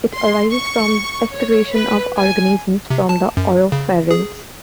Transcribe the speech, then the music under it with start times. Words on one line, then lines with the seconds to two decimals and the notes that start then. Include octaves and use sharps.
It arises from aspiration of organisms from the oropharynx.
0.15 C6
0.50 C#6
1.33 C#5
1.72 B4
2.17 G#5
2.90 C3
3.09 A5
3.37 F#2
3.72 C#3
4.11 G#4